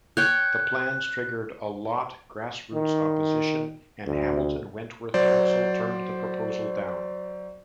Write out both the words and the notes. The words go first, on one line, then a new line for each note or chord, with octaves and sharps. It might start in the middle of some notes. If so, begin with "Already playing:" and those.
The plans triggered a lot grass-roots opposition, and Hamilton-Wentworth Council turned the proposal down.
C#5 G5 F#6
D#3
D2
F#3 C5 D5